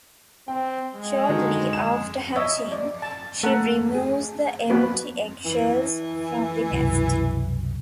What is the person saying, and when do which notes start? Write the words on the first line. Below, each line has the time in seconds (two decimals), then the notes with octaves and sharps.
Shortly after hatching, she removes the empty eggshells from the nest.
0.48 C4 G5
0.95 G#3
1.29 D3 D#3 F#4
1.73 E7
2.36 C#5 D#5 E5
2.72 D5
3.02 A5
3.43 A3 A4 A#4 F#5
3.95 G#4
4.70 A#3 B3 F#4 B4
5.45 E3
6.72 C2 F#2 B2